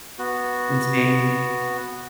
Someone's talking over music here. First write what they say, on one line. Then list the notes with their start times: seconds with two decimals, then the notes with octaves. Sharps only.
in Spain?
0.19 B3 F#4